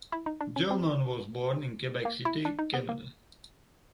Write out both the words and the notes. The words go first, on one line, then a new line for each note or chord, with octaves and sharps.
Gillman was born in Quebec City, Canada.
E4
D#4
D4
C#4
C4
A#3
E4
D4
D#4
B3
A#3